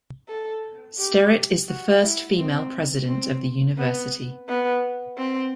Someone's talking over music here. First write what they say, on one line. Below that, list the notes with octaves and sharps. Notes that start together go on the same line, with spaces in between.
Sterritt is the first female president of the university.
A4
G4
F#4
E4
C4
C4
B3
B3
C4